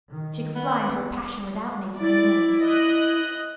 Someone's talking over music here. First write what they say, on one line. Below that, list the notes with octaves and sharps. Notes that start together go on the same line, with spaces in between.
She could fly into a passion without making a noise.
D#3
B3
E4 D5
D#5 F#6